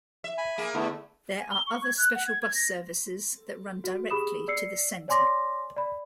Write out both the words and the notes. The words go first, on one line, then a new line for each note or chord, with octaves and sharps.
There are other special bus services that run directly to the Centre.
E5
G#5 B5
A#3 G#4
D3 A3 B3 E4
G#5
G7
C#6
G#6
F#6
F#5
G#6
G#6
A#6
F#4
G4 G#4 B5 D#6 E7
D5 E6 C7 C#7
C#5 D5 G#5 C6 D6 A#6
D5 B5